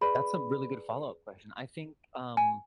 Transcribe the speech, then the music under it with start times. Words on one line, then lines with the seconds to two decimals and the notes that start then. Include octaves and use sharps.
That's a really good follow-up question, I think, um,
0.01 G#4 B4 D5 B5
2.37 G#5